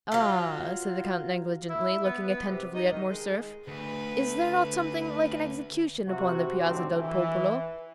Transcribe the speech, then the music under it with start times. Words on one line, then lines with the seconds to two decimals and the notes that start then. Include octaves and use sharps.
"Ah," said the count negligently, looking attentively at Morcerf, "is there not something like an execution upon the Piazza del Popolo?"
0.12 F#3 F4
1.69 E4
2.04 B3
2.28 B3
2.49 C3
2.75 D#4
2.91 D#3
3.10 G#3
3.68 D2 B4
6.07 C3 F#4
6.64 G#1 A2 D3 C4 G4
6.97 E3